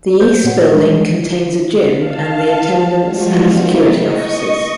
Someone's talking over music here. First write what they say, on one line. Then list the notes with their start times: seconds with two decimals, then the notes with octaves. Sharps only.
The East Building contains a gym and the Attendance and Security offices.
0.20 C5 G6
0.44 A#2 B3 C#5 F#5
0.75 E3 G3 G#3 D4
1.96 F5 A5
3.03 F3 G3 G#3 F4 F#4
3.47 A#3 C4 D#4 E4
3.97 D#5 C#6